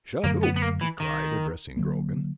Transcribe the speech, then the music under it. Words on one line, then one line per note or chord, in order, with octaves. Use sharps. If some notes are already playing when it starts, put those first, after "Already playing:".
"Shut oop!" he cried, addressing Grogan.
F#2 D3 F#3 A3 A#3
B3
B3
A#3
E3
D#3
D3 F#3 A#3